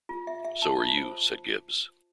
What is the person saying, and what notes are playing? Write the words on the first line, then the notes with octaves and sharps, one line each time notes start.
"So are you," said Gibbs.
F4
E5
E5
A5
F4
C5